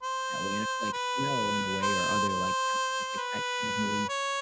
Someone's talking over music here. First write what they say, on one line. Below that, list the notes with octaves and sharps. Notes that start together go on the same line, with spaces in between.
that way, and I feel like smell in a way or other, like, attributes like that can definitely
C5
B4
C5
C5
B4
C#5